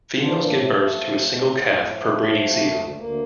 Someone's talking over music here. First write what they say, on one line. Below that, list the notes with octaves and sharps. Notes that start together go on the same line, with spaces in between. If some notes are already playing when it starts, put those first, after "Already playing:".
Females give birth to a single calf per breeding season.
F3 D4 F4
A2 A#3 D4
F3 A3
F3 A3
F3
A2
A2 A3
F3
A2
F3
A2
F3
C3
D2
D2
D2 A#3